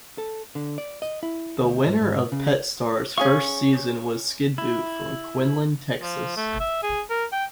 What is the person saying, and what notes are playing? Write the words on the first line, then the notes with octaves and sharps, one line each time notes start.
The winner of "Pet Star"'s first season was Skidboot from Quinlan, Texas.
A4
D3
D5
D#5
E4
D2
G#2
G#2
C#3
C#4 G#4 F5 C#6
E4
F3
A3
E5
G#4
A#4
G5